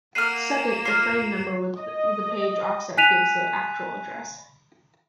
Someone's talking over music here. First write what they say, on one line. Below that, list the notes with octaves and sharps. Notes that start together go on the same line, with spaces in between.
Second, the frame number with the page offset gives the actual address.
A#3 F#5 F6 C7 D#7 E7
F4 A#4 C7
D#5
G#5 F#6 B6 D#7 F7